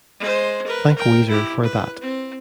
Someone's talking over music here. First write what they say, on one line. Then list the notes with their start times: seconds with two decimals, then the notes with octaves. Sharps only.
Thank Weezer for that.
0.19 G#3 C5
0.66 A#4 B4
0.96 A#4 G5
1.29 E4 G4
1.63 B4
2.01 C4